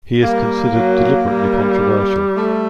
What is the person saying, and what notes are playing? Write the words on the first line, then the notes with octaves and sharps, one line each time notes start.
He is considered deliberately controversial.
G3 A#3
F#3
G3
A3